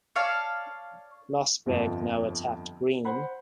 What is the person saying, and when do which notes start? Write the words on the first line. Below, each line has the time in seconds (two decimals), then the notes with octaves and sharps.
Lossberg now attacked Greene.
0.16 C#5 D5 F5 A5
1.66 G1 F2 F3
3.05 C5 F#5 B5